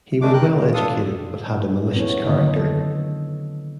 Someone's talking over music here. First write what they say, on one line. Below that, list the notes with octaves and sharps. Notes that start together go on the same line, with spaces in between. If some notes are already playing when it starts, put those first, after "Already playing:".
He was well educated but had a malicious character.
F#2 G#3 A3 D4 D6
A#4 G5 F#6
D#2 A#2
A2 D4 F4 A4 D#6
B3 C#4 E4 C#5
D3 D#3 F#3 A#3 D#5
F#3 A4